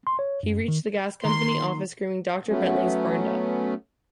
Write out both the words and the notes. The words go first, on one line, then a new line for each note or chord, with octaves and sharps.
He reached the gas company office screaming Doctor Bentley's burned up!
C6
C#5
F#2
D#3
D#3 A#3 A#5 C6
F#3 A3 B3 C#4